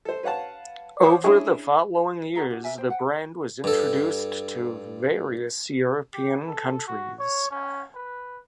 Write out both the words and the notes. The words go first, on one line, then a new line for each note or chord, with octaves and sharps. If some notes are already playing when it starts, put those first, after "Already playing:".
Over the following years, the brand was introduced to various European countries.
A4 C5
B4 C#5 F5 F#5 A5
C5 C#5 F#5 D6 D#6
C#4 D4 E4 G#4 C#6
F#4 G#4 A#5
D4 F#4
A#4 D5 E5 G#5
C5 G5
F#5 G5
G2 A4
G4
A4
F#4
C#5
C#4
B4